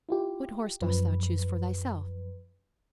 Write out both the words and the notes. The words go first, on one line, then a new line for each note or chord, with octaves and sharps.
"What horse dost thou choose for thyself?"
E4 F4 G4
F#2 F3 B4